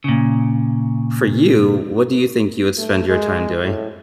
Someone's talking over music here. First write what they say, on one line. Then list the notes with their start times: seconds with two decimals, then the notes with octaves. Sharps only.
for you, what do you think you would spend your time doing?
0.04 A#2 C#3
2.78 A3
3.09 G#3
3.65 A2